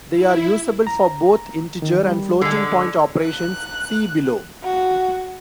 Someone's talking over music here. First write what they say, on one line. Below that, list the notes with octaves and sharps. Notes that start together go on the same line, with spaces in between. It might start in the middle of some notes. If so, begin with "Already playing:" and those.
They are usable for both integer and floating point operations, see below.
E4
A#5
D#3
G3
D3 G#3
D5
F#6
F#4